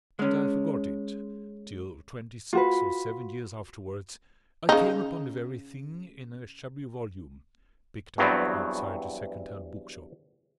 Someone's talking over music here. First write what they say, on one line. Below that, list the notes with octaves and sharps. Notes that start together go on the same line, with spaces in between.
And I forgot it till twenty-six or seven years afterwards I came upon the very thing in a shabby volume picked up outside a second-hand book-shop.
G#3 C#4
F4 F#4 B4
C#3 D#4
E2 G2 F#3 B3 C4